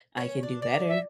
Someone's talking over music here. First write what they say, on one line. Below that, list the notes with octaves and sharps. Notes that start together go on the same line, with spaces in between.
I can do better,
C#4 C#5
D4
D5
E5